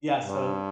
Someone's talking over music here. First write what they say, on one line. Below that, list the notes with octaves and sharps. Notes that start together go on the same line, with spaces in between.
Yeah, so
G2